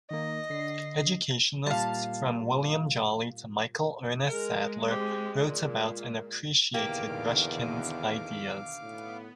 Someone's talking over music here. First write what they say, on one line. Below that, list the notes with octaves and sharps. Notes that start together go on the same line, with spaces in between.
Educationists from William Jolly to Michael Ernest Sadler wrote about and appreciated Ruskin's ideas.
D#3 A#3 D#5
D3 C7
A#2 G3 F5 A5
G#3 A#4
C4 G4
A#2
E2 B2 D3 D#3 A#3 G4 F5 D6
A2 B3